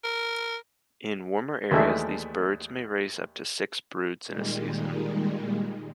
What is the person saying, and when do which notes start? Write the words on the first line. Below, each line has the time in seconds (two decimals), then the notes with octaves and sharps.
In warmer areas, these birds may raise up to six broods in a season.
0.04 A#4
1.71 D#2 E3 G#3 A3 D4 E5
4.26 A#2 D#3 G3 G#3